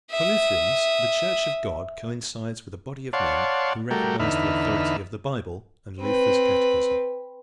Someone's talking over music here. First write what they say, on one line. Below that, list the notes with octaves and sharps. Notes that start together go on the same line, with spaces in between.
For Lutherans the Church of God coincides with a body of men who recognize the authority of the Bible and Luther's catechism.
E5 D#6
C#5 D5 F5 F#5 A5 C6
G3 A3 F#4 A#4 G5
E2 D3 D#4 E5 B5 F6
C4 B4